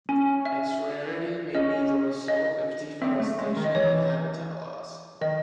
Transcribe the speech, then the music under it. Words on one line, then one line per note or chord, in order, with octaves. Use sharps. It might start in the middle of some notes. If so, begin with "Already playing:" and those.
Its rarity may be the result of deforestation and habitat loss.
C#4 G#5
E5
C#4 D#5
D#5
C4 E5
A3
G#3
D#3
D#5
E3 C#5
D#3 D#5